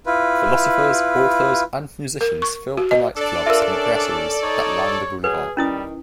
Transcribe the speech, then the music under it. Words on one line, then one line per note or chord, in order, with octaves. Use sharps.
Philosophers, authors and musicians filled the night clubs and brasseries that line the boulevard.
E4 F4 B4
A#4
C#6
F#4
D#5
D4 A4 D5
F4 A#4 E5
C#4
D#4 C#5
F#3 G#4 B4
D#3 G3 C#4 E4 D#6